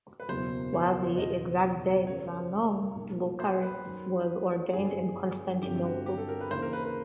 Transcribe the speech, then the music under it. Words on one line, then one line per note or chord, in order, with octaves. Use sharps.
While the exact date is unknown, Lucaris was ordained in Constantinople.
B4
F#1 E2 B2 F#3 C5
C#5
C5
C#5
E1 E2 C#3 D#5
F#2 C#3 F#3 C#5
B1 A#2 G3 A#3
C5
B4
F#2 D#3 F#3
G1 F#2 D3 G3 G#4
G1 G2 D3 G3 C4 G4
F#4
G4
A4
A#4
B4
D#2 C#3 E3 C5
A#4
B4
B4